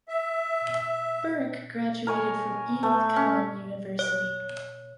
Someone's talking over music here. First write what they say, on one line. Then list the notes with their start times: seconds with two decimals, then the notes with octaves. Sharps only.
Burke graduated from Edith Cowan University.
0.08 E5
2.07 A#4 C#5 D#5 G#5
2.83 A3
3.16 C#4
3.99 C#5